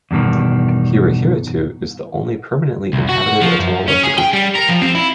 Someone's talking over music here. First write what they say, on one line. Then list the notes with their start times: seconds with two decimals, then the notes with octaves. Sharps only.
Hereheretue is the only permanently inhabited atoll of the group.
0.11 E2 G2 B2 D#3
2.93 C2
3.09 F#4
3.42 F3
3.59 F#2
3.88 C#4
4.03 G#4
4.18 G5
4.33 G3
4.55 A#4
4.69 F3
4.81 C4
4.95 E4